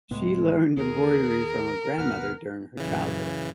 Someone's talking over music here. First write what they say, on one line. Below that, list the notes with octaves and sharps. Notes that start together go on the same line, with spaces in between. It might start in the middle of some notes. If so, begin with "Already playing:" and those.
She learned embroidery from her grandmother during her childhood.
C#2 A2 G#3 B3
D#2 G#4 A#4
D#2 B2 B4 F#5 F6
A#1 F#2 C#3 E3